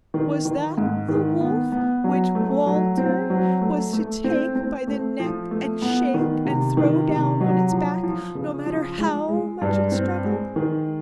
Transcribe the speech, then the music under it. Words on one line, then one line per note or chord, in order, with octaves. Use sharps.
Was that the wolf which Walter was to take by the neck and shake and throw down on its back, no matter how much it struggled?
D#3
D#3
G#2
D#3
B3
B3
F#3
A3
F#3
C4
F#3
A3
A3
C4
C4
A3
F3
A3
B3
D#3
C3
D#3
C3
F#3
F3
F3
C#3
F3
G#3
G#3
G2
C4
G#3
D#3